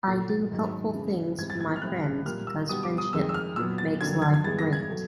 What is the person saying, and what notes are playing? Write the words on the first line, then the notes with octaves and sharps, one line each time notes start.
I do helpful things for my friends because friendship makes life great.
A#2 F#3 A3 A6
A6
G#2 D#3 F#3
C#3 E3 G#3
G#2 E3 G3 C4 G#6
A6
G#6
F6
A2 E3 G3 C4 F#6
A#2 G3 A#3 F6
E6
B2 G3 B3 D#6
D6
D#6
F2 C3 D#3 G#3 E6
E6
F6
A#2 F#3 B3 E6
A6
F2 D3 F#3 A#3 G#6
G#6
G#6
G2 E3 G#3 B3 A6
A#6
G#6
B2 F#3 A3